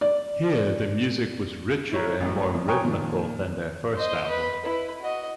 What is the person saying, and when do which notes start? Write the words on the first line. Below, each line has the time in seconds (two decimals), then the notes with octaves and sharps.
Here the music was richer and more rhythmical than their first album.
0.01 D5
1.92 E4 C#5 A#5
2.21 A1 F#2 A2
2.55 F2
2.68 C#5 G5 G#5 A#5 C#6 D#6
2.84 A#2 D#3 F3
3.94 C5 D#5
4.29 B4
4.65 E4 B4
5.02 F#4 D#5